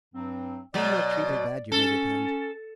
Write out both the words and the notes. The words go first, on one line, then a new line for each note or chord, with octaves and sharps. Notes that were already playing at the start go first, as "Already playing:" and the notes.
They'll not treat her bad, yer may depend.
G2 F#3 C4
B2 F#3 D5
C#4 A4